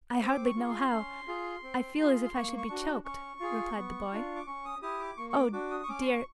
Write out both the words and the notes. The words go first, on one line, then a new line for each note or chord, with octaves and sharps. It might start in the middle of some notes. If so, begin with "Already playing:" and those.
'I hardly know how; I feel as if I should be choked,' replied the boy. 'Oh dear!
C4 D6
C#6
F4 G#4
C6
C#4
F4 G#4
C4
F4 G#4
C6
A#3 C#6
C#6
D4 F#4
C#4 C#6
F4 G#4
B3
D4 F4
D6
C#4 C#6
D#6
E4 G4 D#6
D6
A#3 C#6
C#6
D6
D4 F#4 D6
D#6
C#6
C#4 D6
C6
C#6